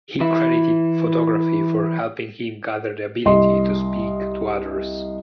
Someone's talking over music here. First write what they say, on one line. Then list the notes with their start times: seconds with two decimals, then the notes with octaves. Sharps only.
He credited photography for helping him gather the ability to speak to others.
0.20 E3 E4
3.25 C2 D#5 C6